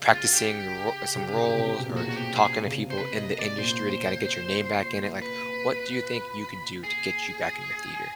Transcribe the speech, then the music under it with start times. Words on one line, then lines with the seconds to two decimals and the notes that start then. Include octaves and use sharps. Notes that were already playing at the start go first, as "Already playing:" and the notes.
practicing ro some roles or talking to people in the industry to kinda get your name back in it? Like, what do you think you could do to get you back in the theater?
Already playing: C#3
0.14 F4
0.34 G4
1.15 C#3
1.36 C#3
1.46 C#3
1.56 C3
1.76 B2
1.89 A#2
1.96 F#4
2.03 B2
2.09 F#4
2.17 G4
2.36 G#4
2.66 C#3
2.78 C3
2.90 C5
2.98 B4
3.18 C3 D#5
3.39 D5
3.58 A#2 C5
5.22 B4
6.84 G#4